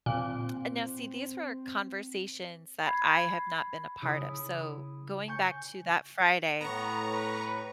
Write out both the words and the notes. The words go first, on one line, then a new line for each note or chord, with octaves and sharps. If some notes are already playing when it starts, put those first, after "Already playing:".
And now see these were conversations that I have not been a part of. So, going back to that Friday,
A#2 C4
B5 G#6 C7
C#3 E4 D#6
G#5 C#6 G6
A2 B3 A#5 C#6
B4